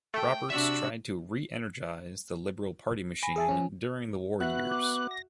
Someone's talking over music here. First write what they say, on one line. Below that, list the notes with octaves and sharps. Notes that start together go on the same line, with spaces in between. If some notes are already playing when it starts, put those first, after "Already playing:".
Roberts tried to re-energise the Liberal Party machine during the war years.
A3 G5
C3 D4 F#4 E5 E6
G#5 B5 A#6
G#4 E5 A5
F3 C#4
B3 F#4 E5 F#6
D6
A#6